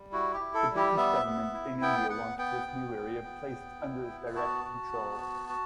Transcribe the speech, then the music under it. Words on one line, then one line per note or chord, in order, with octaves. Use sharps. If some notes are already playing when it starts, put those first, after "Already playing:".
The British government in India wanted this new area placed under its direct control.
Already playing: G3
E4 F#4
G4
E4
A4
G3
G4
B3 E5
B3
E4
B3 G5
B3 F#5
B3 G5
B3
B3
B3
B3
E4
B3
F#4 A5
F#4
B3
F#4
F#4